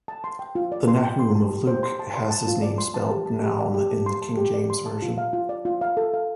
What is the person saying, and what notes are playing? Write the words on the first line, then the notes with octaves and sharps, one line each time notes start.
The Nahum of Luke has his name spelled Naum in the King James Version.
A5
C6
G5
F4
D5
C6
G5
C6
A5
G4
C5
C6
A5
C6
A5
F4
D5
C6
A5
G4
A5
G4
D5
G4
A5
C6
A5
G4
D5
C6
A5
F4
F5
F4
D5
F4
F5
A4
F5